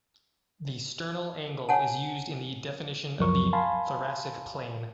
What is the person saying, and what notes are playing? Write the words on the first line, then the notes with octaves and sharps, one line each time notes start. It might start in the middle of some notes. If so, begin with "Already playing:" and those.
The sternal angle is used in the definition of the thoracic plane.
C#5 F#5 G#5 A5
C#2 F#2 F3 F#3 A#4 C#6
F5 G#5 A5 B5 C6